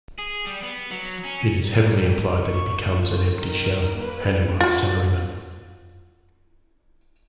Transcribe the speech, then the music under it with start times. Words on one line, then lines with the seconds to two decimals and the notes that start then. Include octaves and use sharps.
It is heavily implied that he becomes an empty shell, Haniwa Salaryman.
0.19 G#4
0.47 G3
0.63 B3
0.91 F#3
1.24 C#4
1.62 G3 A#4
2.40 C#6
2.89 F4
3.36 D#3 A#4
3.96 A#3 B4
4.61 F4 F#4